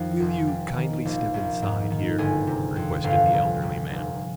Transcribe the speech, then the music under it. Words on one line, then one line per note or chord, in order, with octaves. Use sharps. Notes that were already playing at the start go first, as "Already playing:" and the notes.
"Will you kindly step inside here?" requested the elderly man.
Already playing: F2 D#3 G3
F1
G3
D#3
A#1
A#1
G#2
D#3
G1 G#4
C3
F2
G1 F5
G1
G1
F1